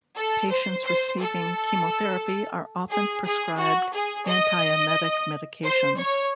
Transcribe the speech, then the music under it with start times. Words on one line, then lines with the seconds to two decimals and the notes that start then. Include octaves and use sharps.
Patients receiving chemotherapy are often prescribed antiemetic medications.
0.17 A4
0.51 C5
0.85 C5
1.20 A4
2.91 G#4
3.25 G#4
3.59 F#4
3.93 G#4
4.27 D#5
5.65 C5
5.99 C#5